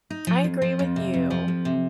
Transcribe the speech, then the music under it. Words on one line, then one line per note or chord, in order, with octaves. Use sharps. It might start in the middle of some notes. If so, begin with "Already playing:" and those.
I agree with you,
D#4
F3
F2
F3
F2
C3
F2
F3
F2
C3